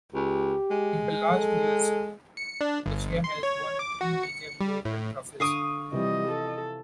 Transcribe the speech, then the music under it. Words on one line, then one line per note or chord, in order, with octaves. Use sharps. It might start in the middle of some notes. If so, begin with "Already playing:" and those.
In the last years Russia has won three major European trophies.
C#2 G4
G#3
A4
C#7
D4
G1
C6
C#5
D6
F#4
C#7
G3
A2
D3 F5 C#6 D#6 D7
C3 E3 F3 G3 D#5
A4